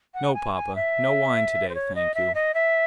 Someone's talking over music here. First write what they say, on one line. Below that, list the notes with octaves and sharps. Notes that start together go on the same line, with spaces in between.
No, papa--no wine to-day, thank you.
F#5
G#5
G#5
E5
C5
C#5
D#5
E5
D#5
E5